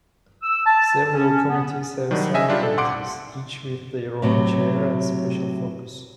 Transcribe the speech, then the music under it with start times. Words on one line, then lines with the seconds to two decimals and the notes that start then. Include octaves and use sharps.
Several committees have subcommittees, each with their own chair and special focus.
0.43 E6
0.66 A5
1.13 C#4
1.49 B3
2.11 D#3 F#3 G3 D4
2.34 C#3 D#5 E5 G#5
2.49 G3 D4 F4 G4
2.63 A4
2.77 C2 F#5 C6 D6 D7
4.22 A2 C3 F#3